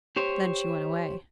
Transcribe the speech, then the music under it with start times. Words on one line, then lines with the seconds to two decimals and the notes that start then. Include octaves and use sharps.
Then she went away.
0.16 G4 C5 C#5